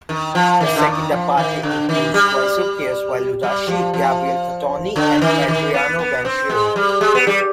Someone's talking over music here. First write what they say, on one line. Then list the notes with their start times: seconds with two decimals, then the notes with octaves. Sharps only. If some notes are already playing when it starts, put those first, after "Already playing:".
The "Seconda parte" includes ricercares by Luzzaschi, Gabriele Fattorini and Adriano Banchieri.
0.09 D#3
0.35 F3
0.60 D#3
0.76 D3
0.87 D#3
1.11 F3
1.37 D#3
1.63 D3
1.89 D#3
2.14 G3
3.43 G3
3.68 F3
3.94 F3
4.96 D3
5.21 D#3
5.48 D#3
5.74 B3
5.99 B3
6.25 C4
6.49 G#3
6.76 G3
7.01 G#3
7.15 B3
7.27 G3